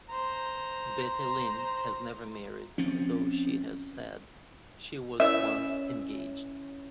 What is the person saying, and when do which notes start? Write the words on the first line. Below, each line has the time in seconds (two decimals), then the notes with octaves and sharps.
Betty Lynn has never married, although she has said she was once engaged.
0.10 C5 A#5
2.78 F3 C4 C#4
5.20 C#4 E4 E5